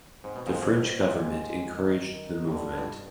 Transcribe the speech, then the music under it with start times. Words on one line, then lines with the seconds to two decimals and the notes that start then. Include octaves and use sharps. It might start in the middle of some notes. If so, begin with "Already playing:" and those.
The French government encouraged the movement.
0.24 G#2 C4
0.36 B2
0.47 F2 G#2
0.62 G2 B2 C4
1.00 F2 G#2 G#3
1.76 D#3
2.48 F2
2.52 G2 D3
2.77 G2 B2